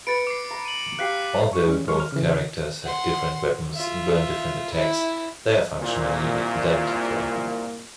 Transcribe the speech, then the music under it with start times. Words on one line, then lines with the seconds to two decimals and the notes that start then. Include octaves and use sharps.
Although both characters have different weapons and learn different attacks, they are functionally identical.
0.07 B4 A6 C#7 D7
0.27 D6 C7
0.51 A#5
0.65 D#7 F#7
0.99 G4 F5 F#6 B6 C7
1.51 F#2 C#6
1.66 E3 G3 G#3 C#4
1.88 F2 F#3 G#3 C6 C#6 F6
2.00 F6
2.12 C#3 E3
2.83 F#5 C6
3.74 F4 E5
4.73 E4
5.80 C2 A#2